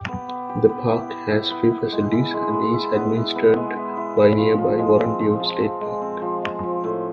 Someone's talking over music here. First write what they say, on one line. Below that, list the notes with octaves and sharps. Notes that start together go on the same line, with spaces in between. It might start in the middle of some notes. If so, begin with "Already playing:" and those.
The park has few facilities and is administered by nearby Warren Dunes State Park.
Already playing: G4
B3
B3
G4
B3
E4
B3
E4
B3
E4
G#3
E4
G#3
G#3
E4
B3
E4
B3
G#3
E4
E4
E4
F3
F3
G#3
C4
F3
F3
C4
G#3
C4
F3
G#3
F3
A2